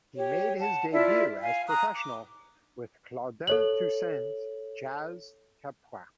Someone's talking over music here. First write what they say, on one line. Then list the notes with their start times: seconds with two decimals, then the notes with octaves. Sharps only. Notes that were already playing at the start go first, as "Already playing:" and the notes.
He made his debut as professional with Claudin Toussaint's Jazz Capois.
0.17 G4 C#5
0.60 F#5 A5
0.92 E4 F4 D5 E5
1.42 F5 G#5
1.68 A#5 D#6 F#6
1.95 D6
3.47 A4 C#5 F#7